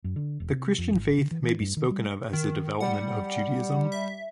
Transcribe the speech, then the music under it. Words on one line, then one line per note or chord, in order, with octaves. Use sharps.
The Christian Faith may be spoken of as the development of Judaism.
F#2
D3
E1
C3
F2
G#1
D3
E3
E3
G2
D#3
G3
D#3
G3 F#5
E5